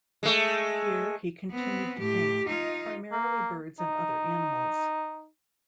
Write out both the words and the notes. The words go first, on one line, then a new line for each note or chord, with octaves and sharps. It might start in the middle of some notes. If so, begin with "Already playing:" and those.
Here he continued to paint, primarily birds and other animals.
G#3 A3
B3 C4
A2 G4
D#4 F4
A#3
D#4